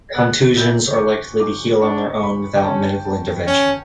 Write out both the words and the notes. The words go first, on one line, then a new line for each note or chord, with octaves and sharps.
Contusions are likely to heal on their own without medical intervention.
B3 F#6
E4 G6
C#6
D6
D6
D4 C#6
C#6
B5
G5
C#4 A5
A5
C#4